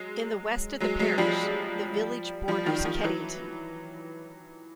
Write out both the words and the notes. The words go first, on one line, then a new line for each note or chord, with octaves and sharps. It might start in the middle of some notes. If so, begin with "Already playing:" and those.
In the west of the parish, the village borders Keddington.
Already playing: F#3 G#3
F#3 G#3
F#3 G#3
F3 G3
F3 G3
D#3 F3
D#3 F3
E3 F#3